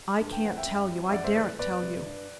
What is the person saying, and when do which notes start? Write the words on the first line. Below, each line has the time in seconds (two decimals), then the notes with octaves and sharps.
"I can't tell you--I daren't tell you."
0.20 G2
0.32 G5
0.43 E3 A3 C4 F#5
0.57 E5 G5
0.66 F#2
0.89 F#3 C4
1.09 E5
1.12 F#2 D5 F#5
1.24 C5 E5
1.35 E3 A3 B4 D5
1.58 E2 B4 D5
1.82 C3 G3
2.06 G2